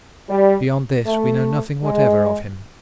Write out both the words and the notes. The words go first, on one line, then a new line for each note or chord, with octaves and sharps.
Beyond this we know nothing whatever of him.
G3
A3
G#3